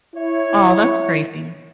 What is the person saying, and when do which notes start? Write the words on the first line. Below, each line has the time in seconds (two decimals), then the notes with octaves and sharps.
Oh, that's crazy.
0.16 E4 C#5